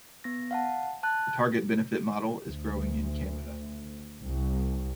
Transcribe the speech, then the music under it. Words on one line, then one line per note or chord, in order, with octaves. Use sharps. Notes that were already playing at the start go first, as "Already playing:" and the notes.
The target benefit model is growing in Canada.
B3 A#6
F5 F#5 A5
A5 F#6
D2
C2